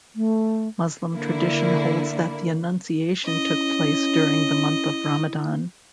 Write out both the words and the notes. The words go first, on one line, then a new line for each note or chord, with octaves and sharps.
Muslim tradition holds that the Annunciation took place during the month of Ramadan.
A3
D3 A#3 E4
C#4 E4 D#5